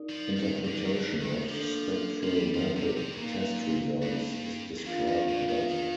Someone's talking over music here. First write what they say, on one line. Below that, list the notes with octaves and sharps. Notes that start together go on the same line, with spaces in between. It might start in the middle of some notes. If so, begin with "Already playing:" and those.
Interpretation of Spectral Method test results is described above.
Already playing: D#4 A#4 D5
F3
D#3
D3
D#3
D3
D#3
F3 A#3 D4 A4
F3
G3
F3
C3
C3
A2
A#2 A#3 D#4 A#4 F5
G2
F2 D4 F4 A#4 F5
G2
A2
D#3
D#3